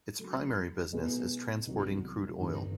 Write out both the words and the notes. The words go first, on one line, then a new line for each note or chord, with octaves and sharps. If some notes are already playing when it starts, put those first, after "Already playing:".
Its primary business is transporting crude oil.
C#3 F#3 A3
B2 G#3 B3 E4 G#4
C2 C3 D#3 F#3
G1 G2 E3 G3